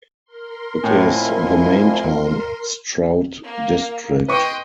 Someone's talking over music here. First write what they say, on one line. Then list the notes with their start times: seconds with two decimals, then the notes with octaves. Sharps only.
It is the main town in Stroud District.
0.25 A#4 C6
0.84 F2 A2 E4 G#5
3.44 A#3
4.28 B4 D#5 G5 C6 C#6